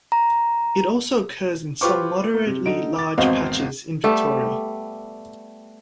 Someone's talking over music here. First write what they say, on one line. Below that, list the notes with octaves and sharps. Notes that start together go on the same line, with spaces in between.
It also occurs in some moderately large patches in Victoria.
A#5
F4 G4 B4 C5 C#6 D6
A#3
C3
D3 D#4 D7
D6 A6
G#1 E2 C4 F#4 D#5 F5
G3 A3 B3 G4